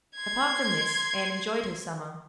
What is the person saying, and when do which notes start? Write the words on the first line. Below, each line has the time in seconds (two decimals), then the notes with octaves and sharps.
Apart from this, Anne enjoyed her summer.
0.15 C6 G#6